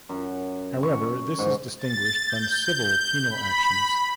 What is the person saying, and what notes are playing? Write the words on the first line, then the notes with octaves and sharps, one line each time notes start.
However this is distinguished from civil penal actions.
F#2
C#6
G#2
A6
G6
B5